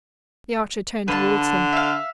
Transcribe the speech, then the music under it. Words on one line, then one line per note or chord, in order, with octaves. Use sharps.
The archer turned towards him.
D3 B4 F5 A5
E5 F5